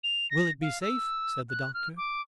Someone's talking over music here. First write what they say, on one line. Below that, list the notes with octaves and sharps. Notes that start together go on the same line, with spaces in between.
"Will it be safe?" said the doctor.
F7
A#6
F5
E6
F#6
F6
D6